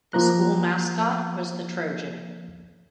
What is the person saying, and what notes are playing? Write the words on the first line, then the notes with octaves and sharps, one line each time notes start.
The school mascot was the Trojan.
F3 A#3 A#5 F#6